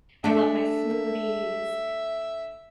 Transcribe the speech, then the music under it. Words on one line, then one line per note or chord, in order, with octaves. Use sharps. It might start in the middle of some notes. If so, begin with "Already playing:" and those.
I love my smoothies.
A3 D4 E5